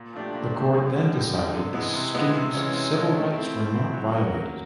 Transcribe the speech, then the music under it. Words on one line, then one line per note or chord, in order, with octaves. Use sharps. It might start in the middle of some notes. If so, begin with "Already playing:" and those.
The court then decided the students' civil rights were not violated.
Already playing: A#2
F3 A3 D4 G4
A#2
F3 A3 D4 G4
F#2
D3 G3
F#2
D3 G3
C3
E3 G#3 B3
C3
E3 G#3 B3
C3
E3 G#3 C#4
C3
E3 G#3 C#4
A3
C4 E4
A3
C4 E4
F#3
A#3 C#4 F#4 A#4
F#3